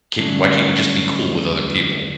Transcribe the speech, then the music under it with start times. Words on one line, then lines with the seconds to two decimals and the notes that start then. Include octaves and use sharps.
Ca why can't you just be cool with other people?
0.20 D3 F#3 G3 A3 C#4 D4